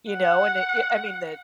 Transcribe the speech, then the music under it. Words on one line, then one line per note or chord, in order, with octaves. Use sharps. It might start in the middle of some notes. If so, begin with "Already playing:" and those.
you know? And, i eh, I mean, the
F#5